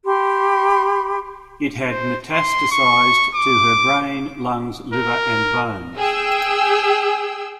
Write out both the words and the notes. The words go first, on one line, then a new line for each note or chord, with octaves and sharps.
It had metastasised to her brain, lungs, liver and bones.
G4 B5 C6
C5
C6
C#6
D6
A#4
G#4 G5 E6